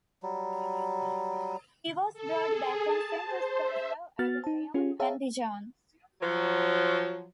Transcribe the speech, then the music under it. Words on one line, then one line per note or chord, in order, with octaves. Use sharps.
He was brought back and sent to study law at Lyon and Dijon.
F#3 G3
A4
G#4
A5
C5
E5
B3 F#4 F6 A6
D#4 A5
C#4 F4 G4 G#4
G#4 C#5 E5 F5 A5 A#5
F3 F#3